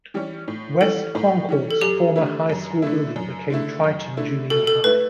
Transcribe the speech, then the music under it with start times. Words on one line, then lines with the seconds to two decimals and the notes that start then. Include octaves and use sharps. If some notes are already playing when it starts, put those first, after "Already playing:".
West Concord's former high school building became Triton Junior High.
0.14 E3 G3 C#4
0.48 A2
0.81 E3 G3 C#4 A4
1.15 A2
1.49 E3 G3 C#4
1.71 A4
1.81 F#2 G4
2.16 D3 A3 E4
2.49 F#2
2.82 D3 A3 E4
3.16 F#2
3.50 D3 A3 E4
3.84 F#2
4.17 D3 A3 E4
4.50 B2 A4
4.67 A4
4.84 A3 E4 B4